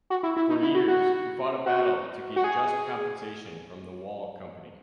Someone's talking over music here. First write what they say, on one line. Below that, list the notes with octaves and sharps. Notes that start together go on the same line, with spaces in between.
For years, he fought a battle to get just compensation from the Wahl Company.
F#4
E4
E4
D#4
E4
F#4
F#4
F#4
F#4
G#4